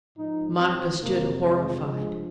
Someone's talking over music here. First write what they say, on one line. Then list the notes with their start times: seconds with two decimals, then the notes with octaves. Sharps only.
Monica stood horrified.
0.17 G#2 F3 D#4
0.58 C4
1.00 F2 C3 G3 A#3
1.41 G#3
1.82 G2 F3 G#3